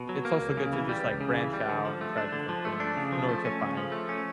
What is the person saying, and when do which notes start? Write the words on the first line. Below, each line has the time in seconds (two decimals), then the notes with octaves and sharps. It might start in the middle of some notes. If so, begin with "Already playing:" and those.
it's also good to just, like, branch out and try different things in order to find
Already playing: B2
0.09 F#3
0.25 A#3
0.41 C#2
0.57 C#3
0.73 E3
0.89 G3
1.06 C#2
1.21 C#3
1.37 E3
1.53 G3
1.70 D3
1.85 F3
2.01 A3
2.18 D4
2.32 D3
2.49 F3
2.65 A3
2.80 D4
2.97 C#3
3.12 F3
3.29 A3
3.45 C#4
3.61 C#3
3.77 F3
3.92 A3
4.09 C#4